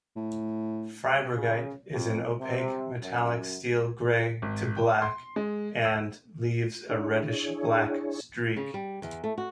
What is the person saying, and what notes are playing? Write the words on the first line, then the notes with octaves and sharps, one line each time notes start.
Freibergite is an opaque, metallic steel grey to black and leaves a reddish-black streak.
A2
C#3
F2
C3
F#2
G#1
G5
C6
G#3
E6
D4 E4 G#4 C#5
C#3
G3
E2
A3
F#4